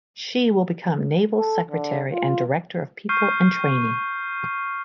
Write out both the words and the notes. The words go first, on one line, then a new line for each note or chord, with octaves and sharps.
She will become Naval Secretary and director of people and training.
A4
D3
F4
C#6 F6 G6 C7 D#7